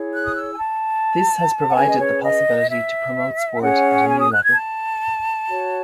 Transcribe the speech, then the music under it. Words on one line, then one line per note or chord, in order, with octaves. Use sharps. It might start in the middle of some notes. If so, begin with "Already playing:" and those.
This has provided the possibility to promote sport at a new level.
Already playing: E4 G#4 C#5
F#6
D#6
E6
G#5
A5
F#5
C#4 G#4 B4 G#5
D#5
C#5
D#5
E5
C#4 G#4 C#5 F#5
G#5
D#6
F#6
G#6
A5
F#4 C#5